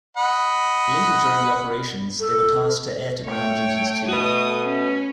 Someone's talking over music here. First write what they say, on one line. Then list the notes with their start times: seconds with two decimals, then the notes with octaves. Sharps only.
Later during the operations, they were tasked to air to ground duties too.
0.17 D#5 F#5 B5
2.20 A4
3.26 A3 C#5 G5
4.09 F#4 B4 D#6
4.62 C#4